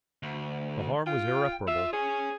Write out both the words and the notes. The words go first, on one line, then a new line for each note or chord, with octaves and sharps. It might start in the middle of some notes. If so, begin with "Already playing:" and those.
The harm was irreparable.
D2
F4 G5
F4 E5
G#4 C#5 G#5